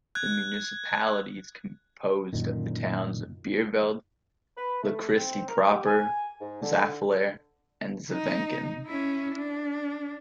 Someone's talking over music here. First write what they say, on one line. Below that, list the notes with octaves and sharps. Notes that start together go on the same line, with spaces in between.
The municipality is composed of the towns of Beervelde, Lochristi proper, Zaffelare and Zeveneken.
F#6 G#6
F#2 A#2 D3 D#3
B4
A3
C4
A#4
G4
G#5
G#2
D3
D#4
C#4 E4
D4